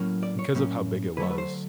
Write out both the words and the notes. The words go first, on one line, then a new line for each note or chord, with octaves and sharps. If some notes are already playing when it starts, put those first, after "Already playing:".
because of how big it was
Already playing: A2 F#3 A#3 C#4
D5
C#5
A2 F#3 A#3 C#4
D3 F#3 A3 B4
B4
C5